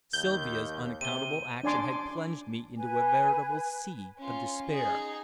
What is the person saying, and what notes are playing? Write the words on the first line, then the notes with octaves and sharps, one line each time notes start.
Sylvia's unaccountable action had plunged me into a veritable sea of despair.
D#2 G6
C3 D#7 G7
D4 D5 G#5 C6 D6
B4 G#5
C#4 F4
D#4 G#4